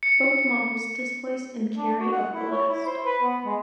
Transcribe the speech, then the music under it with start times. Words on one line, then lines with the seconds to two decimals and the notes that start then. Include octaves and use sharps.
Both models displace and carry of ballast.
0.03 C#7
1.77 D4
2.00 F#4
2.12 F#5
2.34 E4
2.52 C#5
2.69 E4
2.86 C5
3.06 B4
3.23 B3
3.46 G#3